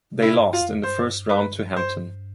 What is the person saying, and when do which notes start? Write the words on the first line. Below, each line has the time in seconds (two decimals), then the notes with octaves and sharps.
They lost in the first round to Hampton.
0.15 C3
0.22 E4
0.38 G2
0.53 F4
0.61 F2
0.83 G2 C5
1.29 B4
1.76 C5